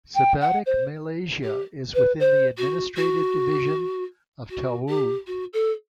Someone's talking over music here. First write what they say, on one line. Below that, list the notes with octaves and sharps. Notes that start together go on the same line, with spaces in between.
Sebatik Malaysia is within the administrative division of Tawau.
G5
F#5
C5
G4
B4
C5
F#4
F#4
F#4
G4
F#4
A4